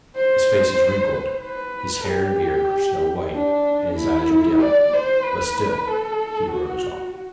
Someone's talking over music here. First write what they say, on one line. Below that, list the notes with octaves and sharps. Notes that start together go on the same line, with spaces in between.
His face is wrinkled, his hair and beard are snow white, and his eyes are dim; but still he rows on.
C5
B4
G4
D4
E4
D5
C5
B4
A4
F#4